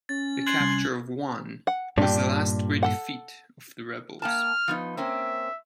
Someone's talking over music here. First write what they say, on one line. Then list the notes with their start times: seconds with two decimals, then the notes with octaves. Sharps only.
The capture of Wan was the last great defeat of the rebels.
0.09 C#4 A6
0.47 C6 F#6 G#6 F#7
0.60 C2
1.67 F#5
1.98 G2 A#2 D4 G4
2.83 A4 F#5
4.22 A#3 G5 A5 F6
4.68 F3 B3 D#4
4.97 A#3 C4 C#4 E5